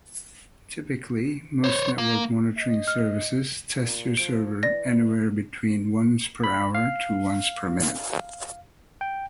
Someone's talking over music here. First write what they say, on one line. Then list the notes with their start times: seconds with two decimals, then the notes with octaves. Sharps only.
Typically, most network monitoring services test your server anywhere between once-per-hour to once-per-minute.
1.64 C5 C#5
1.98 A#3
2.57 D#5
2.88 F6
3.76 A#2
4.17 F3 D7
4.63 E3 D5 A#6
6.44 B5
6.75 F5
9.01 G5